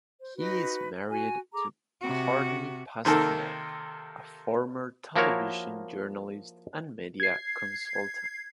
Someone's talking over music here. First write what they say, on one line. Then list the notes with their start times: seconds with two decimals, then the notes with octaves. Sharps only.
He is married to Cortney Pasternak, a former television journalist and media consultant.
0.20 C5
0.36 D#4 F#4 B4
1.09 F#4 G#5
1.53 G#4 A4 A#5 D6
2.01 C3 F#4
3.05 C3 D#3 A#3 A4
5.16 F3 A#3 E4 F#4 A#4 C#5
7.20 G#6 C7